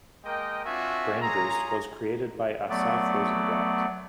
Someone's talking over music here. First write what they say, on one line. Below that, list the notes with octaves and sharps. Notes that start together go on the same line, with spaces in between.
Brainboost was created by Assaf Rozenblatt.
G#3 A#3 A#4 D#5 G5
C4 D4 F4 F#4 E5 G#5
F4 G#4 C#5 A#5
F#3 A3 B3 D5